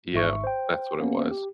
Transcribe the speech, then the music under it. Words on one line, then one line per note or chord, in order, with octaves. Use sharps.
Yeah, that's what it was.
G#1 G#2 E5 C#6
C5 G5
A#3 B3 C#4
G4